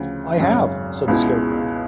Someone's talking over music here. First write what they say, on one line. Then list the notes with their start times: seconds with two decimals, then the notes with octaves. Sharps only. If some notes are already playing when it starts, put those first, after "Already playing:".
"I have," said the Scarecrow.
Already playing: D2 C#3 F3
0.37 G#1 F#2 C#3
1.08 C#2 B2 G#3 B3 E4